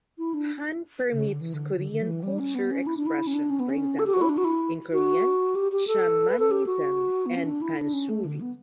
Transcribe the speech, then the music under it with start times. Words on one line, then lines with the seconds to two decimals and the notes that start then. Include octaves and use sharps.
"Han" permeates Korean cultural expression, for example, in Korean shamanism and Pansori.
0.18 E4
0.34 D4
1.12 C#3
1.28 D3
1.41 E3
1.54 D3
1.76 D3
1.91 D3
2.01 F#3
2.07 E3
2.23 G3
2.39 C#4
2.55 B3
2.71 C#4
2.87 E4
2.97 D4
3.06 E4
3.27 C#4
3.34 D4
3.50 C#4
3.60 B3
3.70 C#4
3.99 A4
4.06 G4
4.14 F#4
4.21 E4
4.29 D4
4.37 F#4
4.44 E4
4.93 F#4
5.55 G4
5.72 G4
5.87 A4
6.29 B4
6.39 A4
6.51 G4
6.66 F#4
7.26 B3
7.36 C#4
7.45 D4
7.61 E4
7.78 D4
7.93 C#4
8.09 A3
8.25 D3
8.41 B3